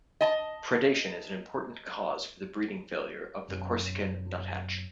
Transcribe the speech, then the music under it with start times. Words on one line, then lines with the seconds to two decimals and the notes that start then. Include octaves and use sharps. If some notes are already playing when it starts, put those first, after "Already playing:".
Predation is an important cause for the breeding failure of the Corsican nuthatch.
0.21 D#5 A5
3.48 F#1 F#2 B2 C#4